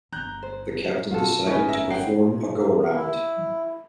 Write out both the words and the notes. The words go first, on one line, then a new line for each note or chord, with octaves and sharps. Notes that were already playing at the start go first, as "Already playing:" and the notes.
The Captain decided to perform a go-around.
G1 A#5 F#6 G6
C5
B2 F4 F#4 A4
G1 C#4 D#4 B4
E5 A#5 A#6
F#5 G5 C7
E4